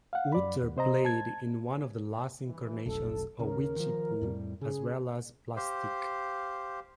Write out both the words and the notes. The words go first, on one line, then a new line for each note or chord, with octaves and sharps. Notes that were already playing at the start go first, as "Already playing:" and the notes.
Utter played in one of the last incarnations of Witchypoo, as well as Plastique.
F5 F#5
F#2 D5 B5
D#2
C3 C5 D#5 A#5
A5 G#6
G2 E3
F1 B1 A4
D#2 C#3 A#4
D#3 F3
F2 A2 G3
C#3 G#4
G4 C5 F5